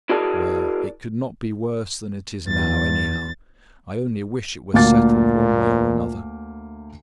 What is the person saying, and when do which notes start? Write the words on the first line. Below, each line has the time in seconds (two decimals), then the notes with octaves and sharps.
"Well, it could not be worse than it is now, anyhow; I only wish it was settled one way or another."
0.09 E4 F#4 G#4 A#4 D5 A5
2.48 E2 A6
4.74 D2 A#2 A#3 A6